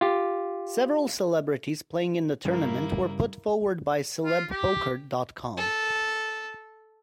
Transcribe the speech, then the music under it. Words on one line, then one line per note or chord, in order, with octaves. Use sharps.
Several celebrities playing in the tournament were put forward by celebpoker dot com.
F4 G4
G2 C#3 G3 A#3 E4
F4
G4
A4